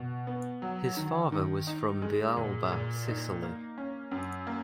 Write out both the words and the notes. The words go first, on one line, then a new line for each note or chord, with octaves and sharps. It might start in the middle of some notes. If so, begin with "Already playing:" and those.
His father was from Villalba, Sicily.
Already playing: B2
B3
F#3
D#3
D#3
D#4
G#3
A#2
A#2
D#4
A#3
C#4
F#2
A#3